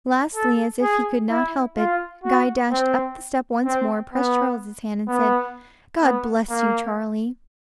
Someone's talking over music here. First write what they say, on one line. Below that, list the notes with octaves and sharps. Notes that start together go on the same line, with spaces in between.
Lastly, as if he could not help it, Guy dashed up the step once more, pressed Charles's hand, and said, 'God bless you, Charlie!'
A4
G#4
E4
F4
F#4
C4
C4
B3
B3
B3
A#3